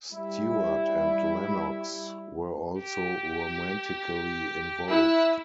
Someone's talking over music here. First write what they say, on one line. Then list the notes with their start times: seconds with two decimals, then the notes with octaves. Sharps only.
Stewart and Lennox were also romantically involved.
0.12 G3 E4
2.80 G4
4.89 E4 E6 F#6